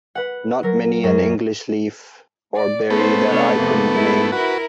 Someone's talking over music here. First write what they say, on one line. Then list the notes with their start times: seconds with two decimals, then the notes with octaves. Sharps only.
Not many an English leaf or berry that I couldn't name.
0.15 B4 F#5
0.63 F#3 A#4
1.04 F#2
2.54 D5
2.90 A3 B3 C#4 C5
3.28 C3 D4 C#5
3.56 F2 C3 A#3
3.93 E4 A#4
4.32 E4 F#4 A#4 B4